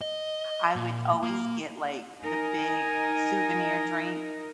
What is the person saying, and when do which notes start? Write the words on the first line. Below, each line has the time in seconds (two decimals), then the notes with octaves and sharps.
I would always get, like, the big souvenir drink,
0.01 D#5
0.76 A#2
1.23 A#3
2.22 D#4 A#4 D#5 G#5